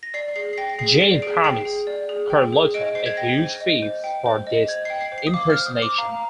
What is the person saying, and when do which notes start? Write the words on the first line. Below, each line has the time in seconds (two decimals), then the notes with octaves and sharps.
Jane promised Carlotta a huge fee for this impersonation.
0.03 A#6
0.14 D5 C7
0.36 G#4 C7
0.53 C7
0.58 G5 A#6
0.70 A#6
0.79 G#4 C7
1.01 D5 C7
1.22 G#4 D7
1.44 G5 C7
1.65 G#4
1.87 D5
2.09 G#4
2.30 G5
2.52 G#4
2.74 D#5 D7
2.95 C5 C7
3.06 G#6
3.17 G5 A#6
3.39 C5
3.60 D#5
3.82 C5
4.04 G5
4.26 C5
4.47 D#5
4.68 C5 G#6
4.85 G5 C7
5.01 C7
5.12 C5
5.18 C7
5.27 D#6
5.34 F5 D6
5.50 F6
5.55 C5
5.66 D#6
5.77 C5
5.82 D6
5.98 F5 A#5